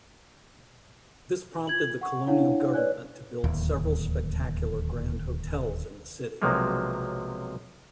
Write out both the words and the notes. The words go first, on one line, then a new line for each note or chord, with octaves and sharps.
This prompted the colonial government to build several spectacular grand hotels in the city.
F4 G#6 F#7
F#5 C#6
D4 E4 C#5 F5 F#5
B4 C#5 D5 G#5 F#6
D1 D#2
B1 C3 F3 F#3 G#3 A#3